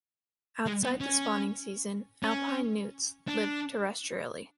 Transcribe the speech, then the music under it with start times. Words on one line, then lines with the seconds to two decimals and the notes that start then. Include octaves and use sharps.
Outside the spawning season, Alpine newts live terrestrially.
0.66 G#3
0.83 B3
1.01 C#4
2.23 C#4
3.28 D4